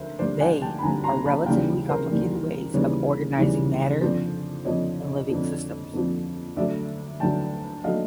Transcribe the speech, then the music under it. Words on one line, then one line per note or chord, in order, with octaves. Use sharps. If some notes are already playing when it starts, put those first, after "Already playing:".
They are relatively complicated ways of organizing matter and living systems.
Already playing: D2 D3 A#4 C5 E5
D2 D3 G3 C5 D5
F#5 G#5
G5 A5
B5
D2 D3 G3 G#5 A#5
A#5 C6
A5 B5
D#2 C#3 E3 G3 F5 G5
A#4 C5
D#2 C#3 E3 G3
D#2 C#3 E3 G3 B4 C#5
D#2 C#3 E3 G3
F2 D3 F3 C5 D5
F2 D3 F3 C#5 D#5
F2 D3 F3
F2 D3 F3
D2 D3 F#3 A3 D5 E5
D2 D3 F#3 A3 G5 A5
D3 F#3 A3 D#5 F5